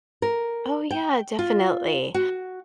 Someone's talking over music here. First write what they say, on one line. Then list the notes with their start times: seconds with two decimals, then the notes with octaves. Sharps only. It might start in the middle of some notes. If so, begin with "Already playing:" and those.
Oh, yeah, definitely.
0.22 A#4
0.91 G5
1.39 F4
2.14 F#4